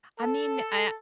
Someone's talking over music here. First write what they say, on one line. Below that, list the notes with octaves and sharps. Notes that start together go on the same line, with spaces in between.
I mean, I
A4